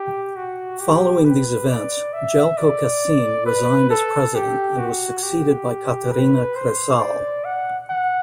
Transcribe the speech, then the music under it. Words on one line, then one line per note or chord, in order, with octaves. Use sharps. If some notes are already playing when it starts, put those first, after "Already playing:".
Following these events, Jelko Kacin resigned as President and was succeeded by Katarina Kresal.
Already playing: G4
F#4
G4
B4
D5
E5
D5
B4
A4
G4
F#4
G4
B4
C5
D5
F#5
F#5